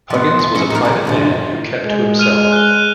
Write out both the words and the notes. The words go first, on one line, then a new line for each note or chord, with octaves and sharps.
Huggins was a private man who kept to himself.
F3 B3
E2
F#3 C#4
D#4 A#4
G3
E2 D3 F3
G#3
F6 D#7 F7
F#6 G7